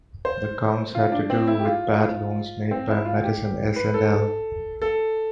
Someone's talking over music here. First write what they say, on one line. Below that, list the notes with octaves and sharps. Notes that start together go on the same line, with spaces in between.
The counts had to do with bad loans made by Madison S and L.
C5
F4
D4
C4
E4
G4
F4
C4
E4
F4
G4
B4
A4
A4